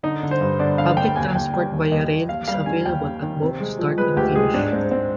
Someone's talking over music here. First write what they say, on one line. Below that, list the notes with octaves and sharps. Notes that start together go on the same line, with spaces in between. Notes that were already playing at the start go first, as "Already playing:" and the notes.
Public transport via rail is available at both start and finish.
D3 D#4
D3
C5
G2
D3 D5
D3 F5
D3 G5
D#2 G#5
D#2 G5
G3 G5
D#2
D#2 D#5
D#2
D#2 F5
G3 F5
D#3 G#5
D#2 G5
D#2
D#3
C3
G#3
F3
G#3 B4
D2 G4
G#3 G#4
G#2 D4
G#2 C4
G#2 C4